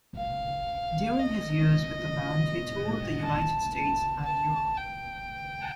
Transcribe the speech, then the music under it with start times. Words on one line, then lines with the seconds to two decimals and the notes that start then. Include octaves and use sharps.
During his years with the band he toured the United States and Europe.
0.16 F5
1.19 D#5
3.23 A5
3.74 A5
4.25 A5
4.77 G5